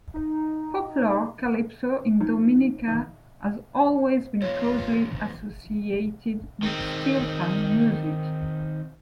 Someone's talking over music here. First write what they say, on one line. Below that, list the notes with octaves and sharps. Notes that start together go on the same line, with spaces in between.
Popular calypso in Dominica has always been closely associated with steelpan music.
D#4
F3 D#4
D#3 E3
E2 G#2 B3 F4 C#5
D#3 C4